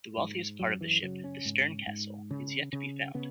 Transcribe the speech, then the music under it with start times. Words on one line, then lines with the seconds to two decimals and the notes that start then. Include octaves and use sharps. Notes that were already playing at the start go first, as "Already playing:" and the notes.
The wealthiest part of the ship, the stern castle, is yet to be found.
0.17 G#2
0.59 F#2 F#3
0.81 E3
1.02 C#3 F#3
1.24 C#4
1.45 G#2
1.87 G#2
2.31 C#3
2.73 C#3
3.15 C#3 B3